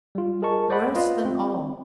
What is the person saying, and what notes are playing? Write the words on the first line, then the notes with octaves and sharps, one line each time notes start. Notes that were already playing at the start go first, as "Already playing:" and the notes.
Worse than all!
G3 F4
G#4 A#4 D#5 A5 C#6
C5 D5 D#5 F#5 B5
F4 B4 D#5 F5
C4